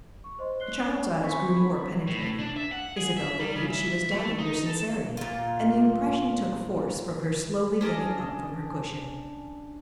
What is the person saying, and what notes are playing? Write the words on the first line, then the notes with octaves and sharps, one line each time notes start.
The child's eyes grew more penetrating; Isabel believed she was doubting her sincerity, and the impression took force from her slowly getting up from her cushion.
C#6
C5 D#5 C6
C#5 F#6 C7 G7
C4 C#5 G#5 B5
A2
D4
E5
F#5
G#4
E5
G3
C#3
E5
A3
D#4
A4
A#2 F4
C#4 D4 C5 D#5